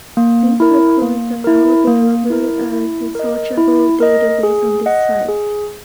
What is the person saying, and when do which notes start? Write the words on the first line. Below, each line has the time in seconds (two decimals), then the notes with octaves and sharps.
These records are now available as a searchable database on this site.
0.17 A#3
0.60 E4 A#4
1.02 A#3
1.44 E4 A#4
1.87 A#3
2.30 E4 A#4
2.72 E4
3.15 A#4 D#5
3.58 E4
4.00 A#4 D#5
4.43 G#4
4.86 D#5 F#5
5.28 G#4